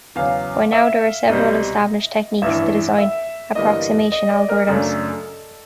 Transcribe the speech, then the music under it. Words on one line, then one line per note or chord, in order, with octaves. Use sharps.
By now there are several established techniques to design approximation algorithms.
E2 C#3 F#3 F5
E5
C2 B2 G3 C4 D#5
A1 G2 E3 E5
E5
G1 G2 E3 G3 A#3 D#5
D#5
D5
A#4
F#2 C#3 F#3 A3 D4 A4